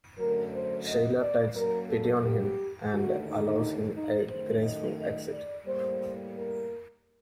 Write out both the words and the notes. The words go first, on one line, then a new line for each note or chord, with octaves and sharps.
Sheila takes pity on him and allows him a graceful exit.
F#2 D3 F#3 A3 A#4
C5
D#5
D5
F#2 F#3 A#3 A#4
A4
G4
D#2 D3 A3 F#4
D#4
D#4
F#2 D#3 A3 C5
D#5
D#5
D5
A2 G3 A#3 C5
A#4